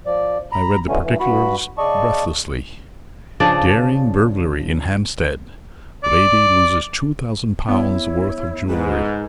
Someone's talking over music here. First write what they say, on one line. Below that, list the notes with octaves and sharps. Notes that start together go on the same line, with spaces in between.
I read the particulars breathlessly: DARING BURGLARY IN HAMPSTEAD--LADY LOSES TWO THOUSAND POUNDS' WORTH OF JEWELRY.
F3 D5
A#5 B5
B2 D3 E3 A3 C#4
G2 E3
G2 F#4 B5
C#3 D5 D#5 A5 C#6
C#3 F3 D4 D5
D5
B3 E4 C#5
G#2 G#4 B4